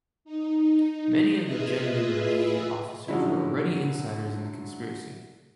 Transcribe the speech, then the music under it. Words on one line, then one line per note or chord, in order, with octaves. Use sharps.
Many of the Gendarmerie officers were already insiders in the conspiracy.
D#4
F4 G#4 B4 D#5 E5
D3 F3 F#3 G#3 C#4 E4